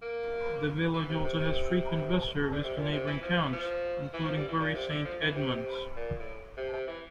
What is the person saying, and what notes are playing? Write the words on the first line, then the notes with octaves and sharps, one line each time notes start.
The village also has frequent bus service to neighbouring towns, including Bury Saint Edmunds.
A#3
E3
C3
C3
C3
D3
C3
A#2
C3
E3
F3
E3
F3
E3
F3
G3
E3
A#2
C3
D3
F3
E3
C3
C3
A#2
A2
C3
C3
E3